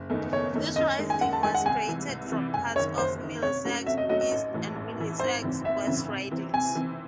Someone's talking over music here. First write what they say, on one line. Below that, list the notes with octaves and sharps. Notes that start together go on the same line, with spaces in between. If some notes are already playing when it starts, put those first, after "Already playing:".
This riding was created from parts of Middlesex East and Middlesex West ridings.
Already playing: F#1
E2 D#3 A3 D#4
F#1 C#5
E2 D#3 A3 D#4
F#2 D#5
D#3 G#3 D#4 G#4
G#5
F#2 F#5
A5
D#3 G#3 D#4 G#4 G#5
F#5
C2 G#5
C3 E3
C2
C3 E3
F#1 G#5
F#2 D#3 C#5
F#1 C5
F#2 D#3
C3 C#5
F#3 A3 C#4 F#4
C3 E5
D#5
F#3 A3 C#4 F#4 D#5
D#5
A1
A2 E3
A1
A2 E3
G#1 C5
F#2 C#3 E3 C4
G#1 E5
F#2 C#3 E3 C4
C3
E3 C4
C3 G#5
E3 C4